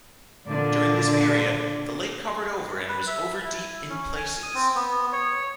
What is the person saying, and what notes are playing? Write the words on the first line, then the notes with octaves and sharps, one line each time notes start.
During this period, the lake covered over and was over deep in places.
A#2 D3 D4 D5
B4
E5
E4
C#4
G#5
D#6
C4
B3
C#5